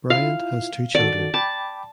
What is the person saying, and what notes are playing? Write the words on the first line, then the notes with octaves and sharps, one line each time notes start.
Bryant has two children.
E4 F4 F5
D#3 F#4 A4 D5
G5 A5 B5 D6